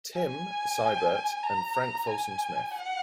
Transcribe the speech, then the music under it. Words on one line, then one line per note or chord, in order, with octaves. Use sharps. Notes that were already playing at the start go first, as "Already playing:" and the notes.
"Tim" Seibert, and Frank Folsom Smith.
G#5
A#5
G#5
F#5